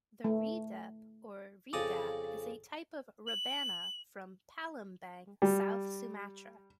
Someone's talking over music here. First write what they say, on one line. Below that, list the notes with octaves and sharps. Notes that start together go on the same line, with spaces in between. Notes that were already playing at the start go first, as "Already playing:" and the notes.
The redep or redap is a type of rebana from Palembang, South Sumatra.
A3
F2 C#3 D5 A5 A#5 D#6
F#7
G3